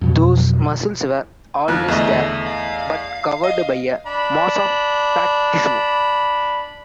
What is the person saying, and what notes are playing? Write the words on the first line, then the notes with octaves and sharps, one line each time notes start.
Those muscles were always there but covered by a mass of fat tissue.
F2 B2 F#3
F2 D3 F#6
E2 A3 D#5
F5
D#5
D4 B5